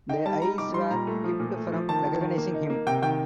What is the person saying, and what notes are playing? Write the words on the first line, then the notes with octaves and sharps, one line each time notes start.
Their eyes were kept from recognizing him.
D#4 G5
G3 A5
G3 A#5
D#4 D6
G3 C6
A#2 A#5
A3
F3
A#2
A3
F3
D#3 A5
D#3
D#3
A#3
D#4
A#3
C3 G5
D#3 G5